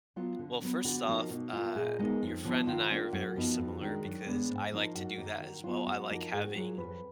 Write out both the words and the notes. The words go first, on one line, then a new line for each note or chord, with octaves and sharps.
Well, first off, uh, your friend and I are very similar because I like to do that as well, I like having
F#3 B3 F4
D3
F#3 B3
D3 F#4
F3 A#3 D#4
B2
A#3 F4
A#2 G#4
G#3 B3 D#4 A#4
F2
D3 F3 B3 D#4
D#3 F4
A#3 D4 F4
F#2 F#4
F3 B3 D#4
F2
D#3 G#3 D4
F#2
D3 G#3 B3 D4
G#2
F3 A#3 D#4
F#2 F#4
D#3 A#3 D#4
D#3 F#4
F#3 B3 F4
F#2 F#4
F3 A#3 D#4
G#2 G#4
F#4
F#3 A#3 F4 G#4
F2 B4